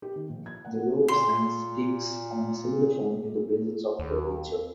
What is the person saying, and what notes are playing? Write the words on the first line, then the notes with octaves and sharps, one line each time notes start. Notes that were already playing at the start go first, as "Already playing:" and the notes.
The law of sines takes on a similar form in the presence of curvature.
G4
D#3
A#1
G#6
F#5
A#2 C6
D#2